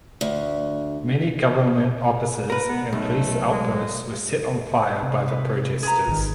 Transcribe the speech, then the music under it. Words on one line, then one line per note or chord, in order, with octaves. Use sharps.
Many Government offices and police outposts were set fire by the protesters.
D2
A#4 B4
B3
B1 A3
G#3
C3
B4
G#4 B4 A#5
G#1 D#3